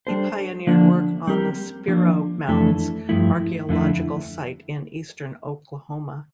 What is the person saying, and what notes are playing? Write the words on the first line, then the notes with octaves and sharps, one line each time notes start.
He pioneered work on the Spiro Mounds archaeological site in eastern Oklahoma.
G3 D4 A4 C5
D3 F3 A#3 D4
G3 C4 G4 A#4
F3 A#3 D4
F2 E3 A3 D4 A4
G2 F3 A3 E4
F2 D3 A3 E4